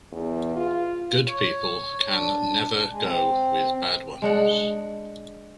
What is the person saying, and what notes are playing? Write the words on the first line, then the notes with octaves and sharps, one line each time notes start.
Good people can never go with bad ones.
E2
F4
C#5
D4
G#3
C4
G#3 D4 F#5